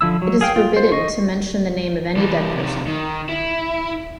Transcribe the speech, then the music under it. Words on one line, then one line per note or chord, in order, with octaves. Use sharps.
It is forbidden to mention the name of any dead person.
D3 F3 E4 E6
F#3
G#4 F5 G5
F4
C5
D#5 C#6
E3 G3
C3 D#3
D#3
E4